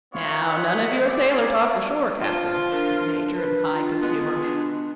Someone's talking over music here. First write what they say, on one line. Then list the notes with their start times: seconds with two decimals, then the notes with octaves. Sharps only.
"Now none of your sailor-talk ashore, Captain," said the Major, in high good humour.
0.13 B3 C#4 E4 F4 C#5
0.46 F4 B4 C#5 D#5 F#5
1.06 E4 G#4 D5
2.22 F3 D4 F4
2.72 D4 A#4
3.35 B4
3.73 F4
4.02 B2 G#3 B3
4.43 D4